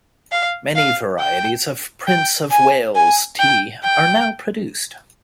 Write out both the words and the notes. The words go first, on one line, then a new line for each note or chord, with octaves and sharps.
Many varieties of Prince of Wales tea are now produced.
F5
F5
G5
G5
G#5
G#5
G5
G5